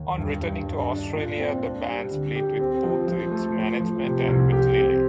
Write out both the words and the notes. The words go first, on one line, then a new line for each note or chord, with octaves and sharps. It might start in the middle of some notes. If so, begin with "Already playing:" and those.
On returning to Australia, the band split with both its management and with Lilley.
Already playing: D#2
G2
G2
D4
D4
A#2
C4
D4
G3
D3
G4
C4
F3
F3
A3
F3
F3
C3
C2
G4
C4